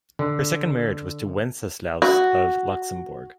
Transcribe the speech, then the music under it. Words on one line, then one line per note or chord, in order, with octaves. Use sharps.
Her second marriage was to Wenceslaus of Luxemburg.
D3
F#4